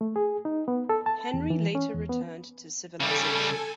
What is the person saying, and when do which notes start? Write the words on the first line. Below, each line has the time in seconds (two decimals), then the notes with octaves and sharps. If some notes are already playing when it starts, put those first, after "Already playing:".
Henry later returned to civilization.
0.01 A3
0.16 G#4
0.45 D#4
0.68 B3
0.89 A4
1.06 A5
1.34 E2
1.50 E3
1.75 C#4
1.94 E2
2.09 B3
3.00 C#3 G3 A4 G#5